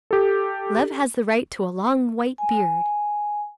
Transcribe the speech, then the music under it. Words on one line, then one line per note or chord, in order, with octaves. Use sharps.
Love has the right to a long white beard.
G4 A4
G#5